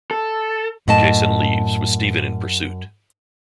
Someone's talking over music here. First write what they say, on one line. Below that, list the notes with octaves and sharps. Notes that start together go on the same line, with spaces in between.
Jason leaves with Steven in pursuit.
A4
F#2 A2 D#5 A5